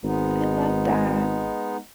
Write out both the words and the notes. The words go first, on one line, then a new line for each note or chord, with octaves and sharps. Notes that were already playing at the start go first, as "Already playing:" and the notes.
I love that,
G#1 G#3 B3 D#4